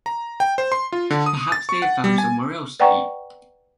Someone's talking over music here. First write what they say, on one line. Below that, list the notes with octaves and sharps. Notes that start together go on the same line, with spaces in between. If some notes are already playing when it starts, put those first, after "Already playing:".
Perhaps they have found somewhere else to eat?
A#5
G5
C5
C6
F4
D3
D#6
A6
C#6
F#5
G3
G#5
B4 D5 F#5 G5 A#5 C#6